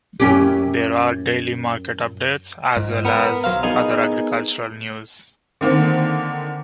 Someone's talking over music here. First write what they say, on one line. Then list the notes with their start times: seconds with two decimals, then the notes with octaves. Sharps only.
There are daily market updates, as well as other agricultural news.
0.20 F#2 C#4 G4
2.77 G#2
3.05 B3 A#4
3.44 B1 F#3 C5 F5
3.63 B3 D#4 G#4 A#4 D#5 A#5
5.61 D3 D#3 A#3 C4